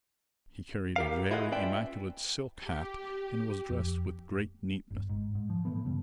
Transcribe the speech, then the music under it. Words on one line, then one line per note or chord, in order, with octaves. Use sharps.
He carried a very immaculate silk hat and was dressed with great neatness.
G4 A#4 F5
E4 F4 G#4 D#5 F5 F#5
C#4 F4 B4 D5 E5 G5
G4
F2
G1
G#2
G#2
F3
A2 E3 A3 B3
G2 C#3